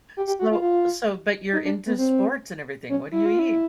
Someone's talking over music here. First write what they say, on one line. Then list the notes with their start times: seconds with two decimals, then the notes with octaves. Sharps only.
So so but you're into sports and everything. What do you eat?
0.17 G4
0.27 G4
0.39 F#4
0.51 F4
0.61 F4
1.53 D#4
1.64 D4
1.87 B3
1.98 C4
2.89 C#4
3.12 E4
3.26 F4
3.39 E4